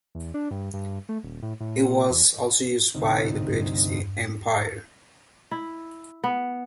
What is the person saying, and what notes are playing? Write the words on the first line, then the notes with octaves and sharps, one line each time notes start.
It was also used by the British Empire.
E2
D4
G2
G2
A3
D#1
A2
A2
A#2
E2
D2 C3 D#4
G2
E4
B3